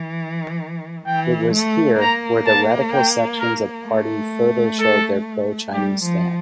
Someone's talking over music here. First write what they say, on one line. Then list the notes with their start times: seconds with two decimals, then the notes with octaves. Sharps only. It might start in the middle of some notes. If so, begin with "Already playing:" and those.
It was here where the radical sections of party further showed their pro-Chinese stand.
Already playing: E3
1.06 E3 G5
1.54 A3
2.01 A#3 A#5
2.46 A5
2.93 G5
3.40 A#4
3.86 A3
4.79 A4
5.73 G3 G4
6.04 F3